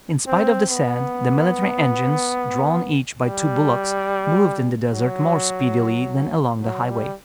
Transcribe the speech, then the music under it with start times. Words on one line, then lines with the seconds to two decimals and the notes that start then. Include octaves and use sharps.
In spite of the sand the military engines, drawn each by two bullocks, moved in the desert more speedily than along the highway.
0.27 C4
0.70 B3
3.23 G3
4.93 F#3
6.62 F#3
6.90 G3